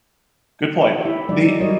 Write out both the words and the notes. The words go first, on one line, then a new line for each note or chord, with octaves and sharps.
good point. The
E4 G4 E5
F#3 G#3 D#4 D5
F#3 G3 F#4 A#4 C#5 D#5